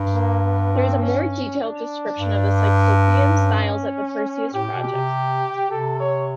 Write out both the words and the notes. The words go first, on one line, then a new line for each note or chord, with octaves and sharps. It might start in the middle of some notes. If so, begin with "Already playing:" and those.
There is a more detailed description of the Cyclopean styles at the Perseus Project.
Already playing: G2
A#3
B3
C4
C#4
D4
G2
C#4
A2 G4
B2
G4
C3
C3 A4
C#5